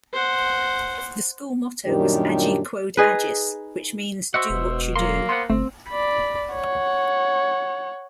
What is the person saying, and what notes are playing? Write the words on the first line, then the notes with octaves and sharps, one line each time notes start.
The school motto was "Age Quod Agis", which means "do what you do".
C5 F#5
F#2 A#2 D#3 G3 D4 G4
D#4 G#4 B4
F#4 C5 D#5 E5 F#5
E1 B2
F#3 A#3 C6
B3 C5 F#5 C6
G1 A3 C4
D5 B5
C#5 F#5